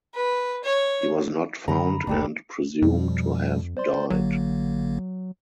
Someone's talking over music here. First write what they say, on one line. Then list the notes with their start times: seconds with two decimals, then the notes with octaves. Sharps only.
He was not found and presumed to have died.
0.14 B4
0.64 C#5
1.68 F#2 D3 F#3 A#5 B5
2.07 F#1 D2 A3 D4 G4 A4
2.82 F2 B2 F3 G3
3.77 C5 D5 C6
4.10 A1 D3 F#3 A#3